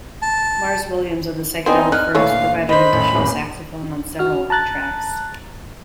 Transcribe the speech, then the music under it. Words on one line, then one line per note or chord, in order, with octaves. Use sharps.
Mars Williams of the Psychedelic Furs provided additional saxophone on several tracks.
A5
B3 C4 D4 D#4 G#5
D#4 F6 F#6
A#2 D3 E3 A3 C#5 F5
D#3 C5 D#5 B5
A1 D2
D1 F#2 A#2
F#4 F6
A5 A#5 F#6 A6